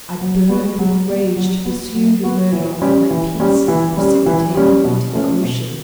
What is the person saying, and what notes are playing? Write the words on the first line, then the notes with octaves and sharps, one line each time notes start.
I burned with rage to pursue the murderer of my peace and precipitate him into the ocean.
F#3
B3 F#4
F#3
B3 F#4
F#3
B3 F#4
F#3
B3 F#4
E3
G3 C#4 G4
E3
G3 C#4 G4
E3
G3 C#4 G4
E3
G3 C#4 G4
B2
A3 C#4
B2